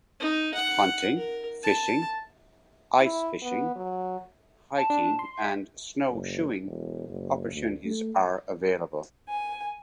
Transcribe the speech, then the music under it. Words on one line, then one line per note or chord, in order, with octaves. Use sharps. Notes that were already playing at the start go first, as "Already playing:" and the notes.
Hunting, fishing, ice fishing, hiking and snowshoeing opportunities are available.
D#4
F#5
A#4
A5
E4
B3
F#3
A5
D4
C6
E5
F#1
E1
F#1
D2
A3
G#5